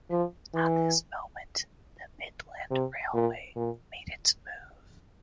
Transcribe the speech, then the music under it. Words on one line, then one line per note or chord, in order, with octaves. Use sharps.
At this moment the Midland Railway made its move.
F3
E3
C3
A#2
A#2